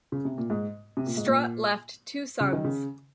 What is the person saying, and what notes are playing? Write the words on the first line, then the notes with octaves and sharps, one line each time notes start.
Strutt left two sons.
C#3
C3
A#2
G#2
C3
A#2
G#2
A#2
C#3
D#3
C#3